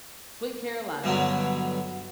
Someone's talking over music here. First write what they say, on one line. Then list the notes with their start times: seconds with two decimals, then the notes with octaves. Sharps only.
Sweet Carolina,
1.04 G2 B2 D3 F#3